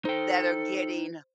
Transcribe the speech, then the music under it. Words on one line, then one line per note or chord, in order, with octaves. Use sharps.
that are getting
D#4 A4 C5 G5